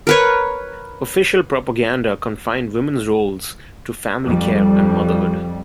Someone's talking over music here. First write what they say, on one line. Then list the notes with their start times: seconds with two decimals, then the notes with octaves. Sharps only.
Official propaganda confined women's roles to family care and motherhood.
0.07 A#4 B4 C#5
4.24 F2 G3